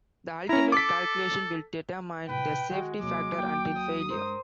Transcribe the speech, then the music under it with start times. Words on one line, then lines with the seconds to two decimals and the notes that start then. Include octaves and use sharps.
The ultimate calculation will determine the safety factor until failure.
0.49 C#4 E4 A#5
0.72 A4 D6 B6
2.29 A2 C3 B4 G5
2.70 D#3 E3 G#3 F#4
3.01 D#2 C3 F#3 D6
3.37 D#2 G5
3.76 D#6
4.10 G2 G#3 A#4 C5